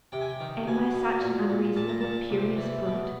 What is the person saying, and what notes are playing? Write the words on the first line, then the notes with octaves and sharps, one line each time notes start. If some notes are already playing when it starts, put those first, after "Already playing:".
Am I such an unreasonable, furious brute?
C3 G5
G#5
G5
D#3
B2 G#5
B2
A#2
A#2
A#2 A5
A#5
A#2 A5
C3
E3
B2